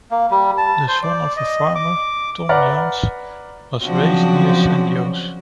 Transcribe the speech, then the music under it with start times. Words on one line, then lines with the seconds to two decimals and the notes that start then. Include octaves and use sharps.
The son of a farmer, Tom Jans was raised near San Jose.
0.11 A#3
0.31 G3
0.58 A5
0.88 C5
1.03 D5
1.37 D#5
1.75 D6
2.49 B4 D5 F#5 A#5 B5 F6
3.84 C#3 F3 F#3 C4 D4 F#4